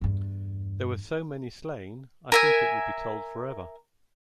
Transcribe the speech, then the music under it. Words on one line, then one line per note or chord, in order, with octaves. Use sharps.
There were so many slain I think it will be told forever.
E2 G2
A#4 E5 G#5